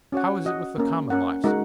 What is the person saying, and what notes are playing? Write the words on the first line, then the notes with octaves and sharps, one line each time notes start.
How is it with the common lives?
C#4 F#4 C#5 F#5
F#4 D#5 F#5
A#3 C#4 A#4
C#4 A#4 F#5
G#3 D#4 F#4 A#4 F#5